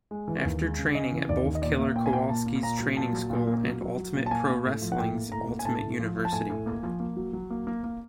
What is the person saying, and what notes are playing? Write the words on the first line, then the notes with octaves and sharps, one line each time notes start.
After training at both Killer Kowalski's training school and Ultimate Pro Wrestling's Ultimate University.
G#3
E3
D#2
G#3
C#3
C#3 D#5
E3
D#2 D5
D#2
D#5
A#2 D5
A#3 E5
A#2 G5
G#5
A#3 G5
A#2 A5
A#3
A#2 A#5
F#3
A#2 A5
F#3
A#2
A#3
F#3
F#3
F#3
A#2
A5
A#3 G#5
A#3
A2
F3
F#5
A2 G5
A#3
A2 A#5
A#3
G#5
A2 A5
A2
F3
F3
A5
A2 G#5
A2
A#3
F3
A#3
F#3
F#3
A#3
A#3
A#3